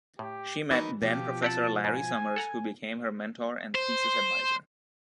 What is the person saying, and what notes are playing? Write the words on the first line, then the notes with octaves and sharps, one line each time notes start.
She met then-professor Larry Summers, who became her mentor and thesis adviser.
A2 G4
E3 F#3 D#4 F#4 A#4 B4
B2 F3 F4 G4
C4 G4 F#5 A5
G#2 G#5
A4 F#5 A#5
C5